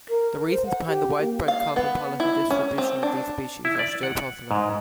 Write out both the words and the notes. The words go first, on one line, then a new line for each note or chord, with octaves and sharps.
The reasons behind the widespread, cosmopolitan distribution of these species, are still puzzling.
A#4
C5
F#5
G4
A#3
F5
B3
E4
C#4
C4
D4
E4
D5
F#5
G#2